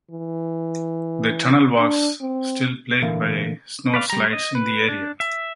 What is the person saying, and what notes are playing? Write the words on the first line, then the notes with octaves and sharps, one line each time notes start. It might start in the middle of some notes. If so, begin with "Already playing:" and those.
The tunnel was still plagued by snow slides in the area.
E3
D4
C4
A#2 D3 E3 A#4 E5 F5
B4 D5 F5
G3 A#5
D#5
B4
D4
E5